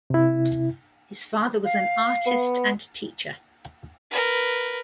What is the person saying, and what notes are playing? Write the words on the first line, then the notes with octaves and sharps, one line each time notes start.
His father was an artist and teacher.
C3 E4
F5
B3
A#4 B4